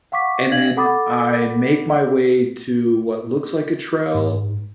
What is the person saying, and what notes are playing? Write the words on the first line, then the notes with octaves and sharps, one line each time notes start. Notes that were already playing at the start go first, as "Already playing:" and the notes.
and then I make my way to what looks like a trail,
F5 F#5 C#6 D6 B6
D4 D5 F5 G#6 A#6 F#7
A4 F#5 B5 D6 D#6 A6
G#2